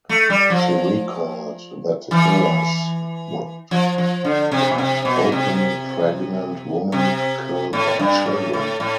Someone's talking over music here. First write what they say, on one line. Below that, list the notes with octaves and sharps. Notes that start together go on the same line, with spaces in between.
She recalled that the killers would cut open pregnant women to kill their children.
A3
G3
F3
E3
F3
F3
D3
C3
B2
C3
B2
C3
C3
A2
G2
A2
A2
A2